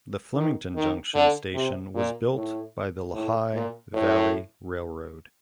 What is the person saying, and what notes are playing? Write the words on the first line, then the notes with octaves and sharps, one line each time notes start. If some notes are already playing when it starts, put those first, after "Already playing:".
The Flemington Junction station was built by the Lehigh Valley Railroad.
D#3
D#3
D3
C3
A#2
A2
A2
A#2
A2